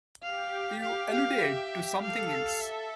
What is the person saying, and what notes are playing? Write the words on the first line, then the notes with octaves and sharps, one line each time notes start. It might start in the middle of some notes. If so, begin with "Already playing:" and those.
You alluded to something else.
G4 F5
G4 F5
F5
E5
A4 F5
E5